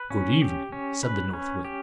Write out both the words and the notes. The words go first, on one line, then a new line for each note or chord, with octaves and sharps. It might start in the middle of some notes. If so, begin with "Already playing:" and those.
'Good evening!' said the North Wind.
Already playing: B4
C#4
G4
C#4
B4
C#4
G4